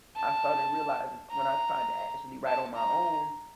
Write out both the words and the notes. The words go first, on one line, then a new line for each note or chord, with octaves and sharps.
I started realizing when I tried to actually write on my own,
A5
A#5
A5
A#5